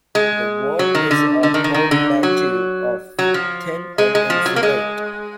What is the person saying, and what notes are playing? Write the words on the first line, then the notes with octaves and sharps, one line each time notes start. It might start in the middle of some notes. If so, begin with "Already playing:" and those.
The word is a portmanteau of thin and insulate.
G#3
F#3
D#3
D3
D3
D#3
D#3
D#3
D3
F#3
F#3
F3
G#3
G#3
F3
F#3
A#3
G#3